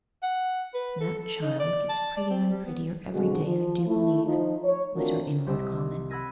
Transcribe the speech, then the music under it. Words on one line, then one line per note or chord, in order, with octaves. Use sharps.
"That child gets prettier and prettier every day, I do believe," was her inward comment.
F#5
B4
A4
A4
D#4
D5
A5
D5
C4
G3
B3
F2 B2 D3 G#3 F#4
F3
A3 E4
F3 D#4 F4
C#5
A3 C4 D4 F4 F#4 A#4
C2 G4 C5 D#5 E6
F#5 B5 E6 G#6 A#6 D#7